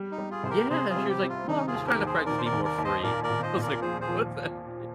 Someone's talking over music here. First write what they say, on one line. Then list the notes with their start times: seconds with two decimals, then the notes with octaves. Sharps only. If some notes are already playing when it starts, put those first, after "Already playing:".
Yeah, and she was like, "Well, I'm just trying to practice being more free." I was like, "What's that mean?"
Already playing: G3
0.12 D#4
0.18 G3
0.31 F4 G#4
0.44 C2 C5
0.50 G4 A#4
0.70 C3 G#4 C5
0.90 F4 G#4
0.96 G3
1.09 G4
1.22 C3
1.29 F4
1.48 D#3 D#4
1.67 F4 G#4
1.74 D#2
1.87 G4 A#4
2.00 D#2
2.06 G#4 C5
2.26 D#3 A#4 D5
2.38 C5
2.46 A#4 D5
2.52 D#2
2.65 A#4 D5
2.78 D#2
2.85 C5 D#5
3.04 A#2 A#4 D5
3.23 A#4 D5
3.30 A#2
3.42 C5 D#5
3.56 A#2
3.62 A#4 D5
3.81 F3 G#4 C5
4.01 G#4 C5
4.09 F3